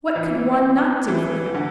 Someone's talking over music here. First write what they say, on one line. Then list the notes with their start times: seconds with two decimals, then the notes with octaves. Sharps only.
What could one nut do for him?
0.16 E3
1.08 E3
1.54 D3